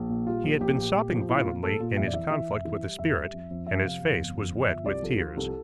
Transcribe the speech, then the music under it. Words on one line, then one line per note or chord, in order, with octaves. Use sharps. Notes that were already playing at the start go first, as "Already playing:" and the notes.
He had been sobbing violently in his conflict with the Spirit, and his face was wet with tears.
Already playing: A#1
A#2
G3 F4
A#1
A#1 G4
A#2
A#2
F3
A#2 E4
F4
F3
A#2 A4
A#2 F4
F1 E5
D5
E3 E5
E3 E5
F1
E3
G3
F1 E5
G3
F2
F2
F2 E5
C3 F5
F2
G1
F2
G1
F3 E5
C2 D5
F3 A4
F3 F4
C2 A4